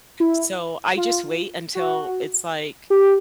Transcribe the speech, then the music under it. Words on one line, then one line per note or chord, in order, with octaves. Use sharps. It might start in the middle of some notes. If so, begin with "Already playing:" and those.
So I just wait until it's, like,
E4
F4
F#4
G4